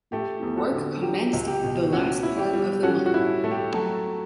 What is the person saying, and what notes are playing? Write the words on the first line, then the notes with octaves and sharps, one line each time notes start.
Work commenced the last part of the month.
A3 G4
E2
F#4 A4
D3
F#3 G4
C#2
G4
B2
C#4 F#4
E4
G4
G3
C#4 F#4 A4
F#4
E4
A3
G4
F#3 F#4 A4